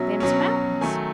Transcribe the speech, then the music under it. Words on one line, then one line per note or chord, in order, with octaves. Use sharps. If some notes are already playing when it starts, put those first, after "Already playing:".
"Them's mountains."
Already playing: B2 F#3 C#4 E5
B2 F#3 C#4
D#3 F#3 A3 G#5